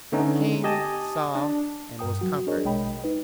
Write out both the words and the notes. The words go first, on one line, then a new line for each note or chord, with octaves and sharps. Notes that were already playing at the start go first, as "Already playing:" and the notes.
I came, saw, and was conquered.
D3 A3 B3 C#4 D#4
G4 D#5 G#5 A5
D4
G2 A#4 G5 D#6
F#3 F#4
D4 G#4 A#4 C#5 D#5
A#1 B2 G#3 D#5 G5 B5
D#4 B4